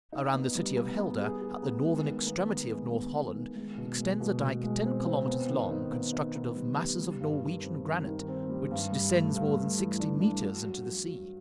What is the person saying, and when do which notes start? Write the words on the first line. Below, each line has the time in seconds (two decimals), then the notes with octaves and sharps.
Around the city of Helder, at the northern extremity of North Holland, extends a dike ten kilometres long, constructed of masses of Norwegian granite, which descends more than sixty metres into the sea.
0.12 D#4
0.34 B3
0.55 G3
0.77 B3
0.99 B3
1.21 G#4
1.41 G#4
1.63 B3
1.84 G#3
2.05 D#3
2.27 B3
2.49 B3
2.70 G#3
2.91 B3
3.13 B3
3.34 D#3
3.56 G#3
3.77 B2
3.99 G#3
4.20 B2
4.41 B2
4.63 G#3
4.85 C4
5.06 C4
5.27 B3
5.49 D#3
5.71 D#4
5.92 B3
6.13 D#4
6.35 B3
6.56 G3
6.78 G3
6.99 G3
7.20 G2
7.42 D#3
7.63 C4
7.86 D#3
8.06 D#3
8.28 C4
8.50 G3
8.71 G2
8.92 G2
9.14 A3
9.35 G2
9.57 A3
9.78 E3
10.00 D4
10.21 D4
10.42 F#4
10.64 F#3
10.85 F#3
11.07 F#3